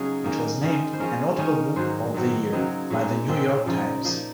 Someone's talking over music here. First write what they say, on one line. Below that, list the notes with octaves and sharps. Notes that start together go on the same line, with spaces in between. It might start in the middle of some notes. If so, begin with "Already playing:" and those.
It was named a Notable Book of the Year by "The New York Times".
Already playing: C#3 F#3 C#4 D#4 G#4
D#3 A#3 C#4
D#3 G#3 C#4
C5
F3 G#3 C#4 A#4
D#3 A#3 C#4
G#2 D#3 F#3 C5
G#2 D#3 F#3 C4
C#3 F#3 C4 D#4
A#2 G#3 D#4 C#5
A#2 F3 G#3 C4
C#3 F3 A#3 D#4
F3 A#3 D#4